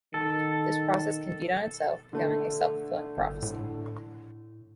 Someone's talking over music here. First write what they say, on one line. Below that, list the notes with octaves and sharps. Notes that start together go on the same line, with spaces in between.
This process can feed on itself, becoming a self-fulfilling prophecy.
D#3 A4
D3 A3
G1
A2